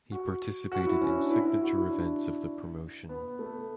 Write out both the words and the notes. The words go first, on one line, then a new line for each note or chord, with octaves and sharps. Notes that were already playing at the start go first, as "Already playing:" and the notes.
He participated in signature events of the promotion.
F#4
F#4
E4
C#4
D4
E4
E4
F#4
E4
D4
B3
A3